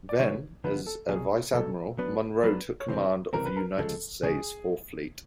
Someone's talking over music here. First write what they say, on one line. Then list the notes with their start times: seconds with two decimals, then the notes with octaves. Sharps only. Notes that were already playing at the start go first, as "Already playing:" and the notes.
Then, as a vice admiral, Munroe took command of the United States Fourth Fleet.
0.09 D5
0.19 D3 F3 G#3 B3 C#5
0.64 D3 F3 G#3 B3 B4
0.86 A4
1.09 C2 B2 F#3 G#4
1.53 C2 B2 F#3 A4
1.98 F#3 B3 D4 B4
2.43 F#3 B3 D4 B4
2.80 C#5
2.88 C#2 C3 E3 G3 C4 C5
3.33 C#2 C3 E3 G3 C4 A#4
3.45 B4
3.56 A#4
3.78 D2 C#3 F3 G#3 A4
4.23 D2 C#3 F3 G#3 G#4